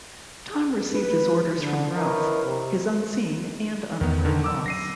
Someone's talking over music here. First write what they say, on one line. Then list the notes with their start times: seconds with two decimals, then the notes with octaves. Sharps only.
Tom received his orders from Ralph, his unseen and unheard boss.
0.94 B4
1.57 D3
1.96 E4 A#4 B4 C#5 D#5
2.45 C3
4.01 E2 D#3 B3
4.25 A#2 D3 D#3
4.44 F#3 D6 E6
4.66 F#3 A#6 C7 D#7